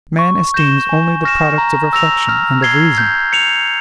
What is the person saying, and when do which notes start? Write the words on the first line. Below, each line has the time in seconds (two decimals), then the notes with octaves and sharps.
Man esteems only the products of reflection and of reason.
0.19 C#6
0.54 G6 A#6 E7 G7
0.89 G#5
1.24 C#6 F6 A#6 E7
1.58 A#5
1.93 E6 A#6 F7
2.29 F6
2.62 G#6 C7 G7
2.98 G6
3.33 C#7 F7